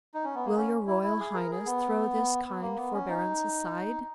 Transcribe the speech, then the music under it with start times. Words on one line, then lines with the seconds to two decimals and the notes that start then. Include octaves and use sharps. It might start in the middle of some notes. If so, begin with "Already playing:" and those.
Will your royal highness throw this kind forbearance aside?
0.14 D#4
0.24 C#4
0.35 B3
0.45 A#3
0.57 C#4
0.87 E4
1.03 E4
1.20 G#4
1.35 A#4
1.51 G#4
1.66 B3
2.45 B3
2.61 A#3
2.76 B3
2.93 C#4
3.09 D#4